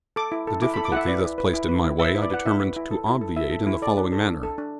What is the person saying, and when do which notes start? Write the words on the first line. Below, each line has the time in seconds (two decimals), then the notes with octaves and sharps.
The difficulty thus placed in my way I, determined to obviate in the following manner.
0.16 A4 D6
0.32 E4
0.47 A4
0.62 E4 D6
0.74 A4 B5
0.85 D6
0.92 E4 E5 F#5
1.08 B4 D5
1.23 E4
1.38 B4
1.54 E4
1.69 B4
1.84 E4
1.99 B4 E5
2.15 E4
2.22 D5
2.30 B4 F#5
2.45 E4 E5
2.60 B4
2.76 E4
2.91 A4
3.06 E4
3.21 A4
3.36 E4 E5
3.51 A4
3.67 E4
3.82 A4 D5
3.97 D4
4.12 A4
4.28 D4
4.43 A4
4.58 D4